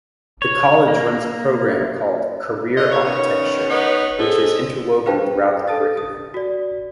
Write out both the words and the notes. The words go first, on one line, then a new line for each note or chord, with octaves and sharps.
The College runs a program called "Career Architecture", which is interwoven throughout the curriculum.
C#5
A#3
D3 F4 D#5
C#5
D#3 B3 C#4 C#5
B3 D#4 B4 C#5
G#3 C4 G#4 A4
G#4 B4 C5 F5 G5 A5
A4 A5 D#6 A6
D#6
F#4 D5